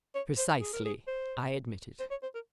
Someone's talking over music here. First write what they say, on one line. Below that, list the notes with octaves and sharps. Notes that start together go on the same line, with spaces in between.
"Precisely," I admitted.
C#5
C5
G#4
A#4
G#4
C5
C5
C#5
C5
A#4